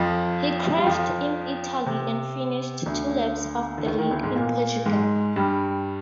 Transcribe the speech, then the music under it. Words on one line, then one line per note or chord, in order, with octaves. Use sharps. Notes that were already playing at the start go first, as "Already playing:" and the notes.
He crashed in Italy, and finished two laps off the lead in Portugal.
Already playing: F2 F3
G3
F2 F3
C3
D2 D3
D3
D#2 D#3
D#2 D#3
D2 D3
G#2 G#3
A#2 A#3
G#2 G#3
G2 G3